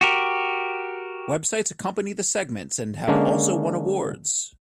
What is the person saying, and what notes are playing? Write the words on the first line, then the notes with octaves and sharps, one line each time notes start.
Websites accompany the segments and have also won awards.
F#4 G4 A#4
D3 G#3 A#3 C#4 D4